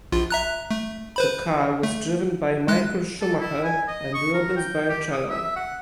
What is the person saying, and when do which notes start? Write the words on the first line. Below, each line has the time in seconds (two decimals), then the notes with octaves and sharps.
The car was driven by Michael Schumacher and Rubens Barrichello.
0.12 A#1 F4
0.30 E5 A#5 F#6
0.71 A3
1.16 B4 C5 B5
1.83 A3
2.68 G#3 F#6
3.21 A4
3.40 E4
3.64 G#5
3.88 D#5
4.14 C#6
4.34 A#4
4.56 G5
4.89 G4
5.12 D#6
5.28 E5
5.56 F#5